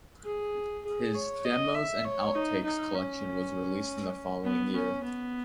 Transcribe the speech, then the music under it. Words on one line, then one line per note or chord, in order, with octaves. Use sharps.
His "Demos and Outtakes" collection was released in the following year.
G#4
G#4
C#5
D#5
E5
C#5
D#4
D#4
C#4
B3
C#4
B3